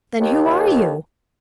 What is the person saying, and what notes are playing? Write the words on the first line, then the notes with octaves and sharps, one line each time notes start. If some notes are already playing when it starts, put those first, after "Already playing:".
"Then who are you?"
D#2